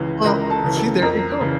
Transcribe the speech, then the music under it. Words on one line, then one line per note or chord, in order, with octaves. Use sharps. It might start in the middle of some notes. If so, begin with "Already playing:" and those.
Well, uh, see, there you go.
Already playing: C#2 C#3 E3
C#2 A#4 A#5
A4 A5
C#3 E3
A4 A5
F2 A#4 A#5
C#3 E3